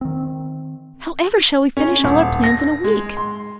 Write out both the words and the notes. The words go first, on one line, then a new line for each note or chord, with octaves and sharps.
However shall we finish all our plans in a week?
D#3 C4
C#4
D#1
A#6
G#3
C6